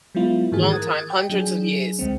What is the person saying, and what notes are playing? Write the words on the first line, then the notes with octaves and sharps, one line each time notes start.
Long time, hundreds of years.
F#3 G#3 B3 E4 F4
G#2 D#3 E3 A#3 G#4
A#4 D#6 F#6 G#6 A6
G5
F#3 D4 G#4
D2 D3 G#3 C4